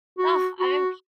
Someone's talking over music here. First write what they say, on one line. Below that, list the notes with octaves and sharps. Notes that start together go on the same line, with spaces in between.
Ugh, I'm
F#4
F#4